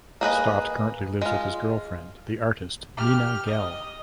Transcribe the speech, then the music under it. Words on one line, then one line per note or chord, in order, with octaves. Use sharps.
Stott currently lives with his girlfriend, the artist Nina Gehl.
A#3 G#4 B4 D#5
G#3 F4
G4 F6
D#5